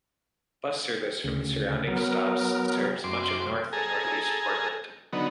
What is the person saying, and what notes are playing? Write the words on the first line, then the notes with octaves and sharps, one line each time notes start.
Bus service from the surrounding stops serves much of North and Northeast Portland.
D2 C#3
F#3 B3 A#4
F#2 C6 D6
G#4 A4 G#5 A#5
D3 F#3 B3 D#4